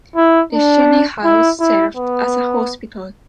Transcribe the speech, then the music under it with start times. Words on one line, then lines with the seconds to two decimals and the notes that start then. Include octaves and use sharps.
The Chaney house served as a hospital.
0.16 E4
0.52 D4
1.24 E4
1.60 E4
1.96 B3